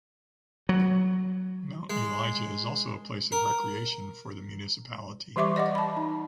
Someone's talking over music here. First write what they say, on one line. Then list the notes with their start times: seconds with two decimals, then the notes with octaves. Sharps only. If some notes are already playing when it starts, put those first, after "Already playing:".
Mount Elijah is also a place of recreation for the municipality.
0.69 F#3
1.90 G#3
3.32 A#4
5.36 E3 G3 G4 E5 C#6 D6
5.56 D5 D#5 F#5 D6
5.75 A5 B5
5.97 D#4